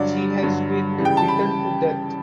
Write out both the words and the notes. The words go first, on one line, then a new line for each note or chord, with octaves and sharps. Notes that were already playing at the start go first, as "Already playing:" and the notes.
She had been beaten to death.
Already playing: G2 D3 F#3 D5
G2 D3 F#3
C#3 E3 G3
G5
A5
B5